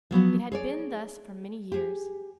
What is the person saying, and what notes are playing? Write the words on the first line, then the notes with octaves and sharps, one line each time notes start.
It had been thus for many years.
F3 F#3 B3 F#4
G#4 C#5 D5
G4 G#4